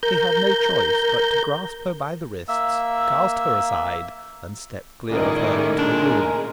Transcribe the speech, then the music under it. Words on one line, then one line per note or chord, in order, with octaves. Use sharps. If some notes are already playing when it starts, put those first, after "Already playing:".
He had no choice but to grasp her by the wrists, cast her aside, and step clear of her into the room.
A#4 G6
A#3 E5 E6
C#2 A2 D#3 E4 G#4 A#4 D5 D#5
A#2 C#3 G#3 D4